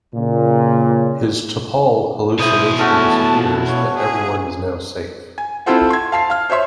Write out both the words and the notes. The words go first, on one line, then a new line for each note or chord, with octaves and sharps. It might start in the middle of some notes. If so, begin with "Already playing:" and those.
His T'Pol hallucination disappears, but everyone is now safe.
A#2 C#3
B2 E4 C5 D#6
A3 C#4 F#4 A5
C#5
G#4
G#5
C4 E4 F4 A4 C5 F#5
C6 G#6
F5 A5 C7
F5 F6
C5 C#5 E5 C6